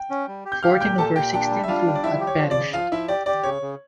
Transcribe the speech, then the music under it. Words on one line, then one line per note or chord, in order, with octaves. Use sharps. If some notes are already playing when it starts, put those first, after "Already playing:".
Fourteen of her sixteen crew had perished.
Already playing: G5
C#4
G3
G4
G6
G4 F5 F6
A#2 G5 G6
A#2 A4 A5
A#2 G4 G5
D4 G4 G5
G3
E5
D4 F4 F5
G3
D5
F3 E4 E5
G4
C#5
F3
D5
C#3
F3 F4 F5
F3 E4 E5
G4 D5
G4 D5
C#3 C#5
C#3